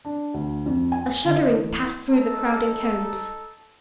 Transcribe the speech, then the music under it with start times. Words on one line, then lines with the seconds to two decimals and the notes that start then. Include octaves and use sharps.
A shuddering passed through the crowding cones.
0.05 D4
0.34 D2
0.66 F2
0.92 G#5
1.25 D3
1.37 D#5
1.55 E3
2.09 D#4 A4